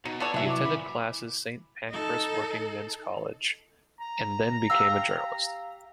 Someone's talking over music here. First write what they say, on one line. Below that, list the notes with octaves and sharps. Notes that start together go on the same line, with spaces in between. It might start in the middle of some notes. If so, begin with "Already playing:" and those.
He attended classes Saint Pancras Working Men's College and then became a journalist.
B2 D#4
B3 A4 C#5 D5
C3 E3 F#3 E4 E5
D6
A#2 B5
D#4 A4
A#5
G4 F5 E6